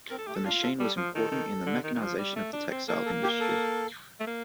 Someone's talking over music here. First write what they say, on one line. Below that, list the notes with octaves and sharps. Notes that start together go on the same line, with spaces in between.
The machine was important in the mechanization of the textile industry.
C4 A#4
A4
A3 G4
A4
D4 F4
A4
G3 A4
F3
D#3 A4
D#3
D3
D#3
D#3
F3
G3
A3
D4
C4
A#3 A4
A4
G4
A4
A3
A#3